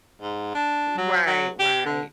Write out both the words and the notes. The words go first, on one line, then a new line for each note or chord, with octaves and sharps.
Right, right.
G#2
D4
F#3
F#3
G4
D3